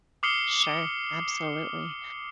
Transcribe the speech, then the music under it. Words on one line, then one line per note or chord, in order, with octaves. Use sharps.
Sure, absolutely.
D6 D#6 F6 C7 C#7 G7